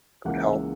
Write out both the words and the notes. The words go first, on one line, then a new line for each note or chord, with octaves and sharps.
it would help.
C#2 C#3 E3 A#3 F#5
E5